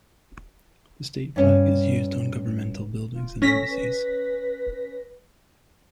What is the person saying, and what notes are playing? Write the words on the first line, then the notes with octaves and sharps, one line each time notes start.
The State flag is used on governmental buildings and embassies.
G2 C#4
F4
C#4 A4 A#6 B6
B4